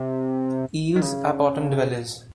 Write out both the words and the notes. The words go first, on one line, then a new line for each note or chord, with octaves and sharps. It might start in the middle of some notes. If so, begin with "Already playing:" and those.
Eels are bottom dwellers.
Already playing: C3
D#3
C#3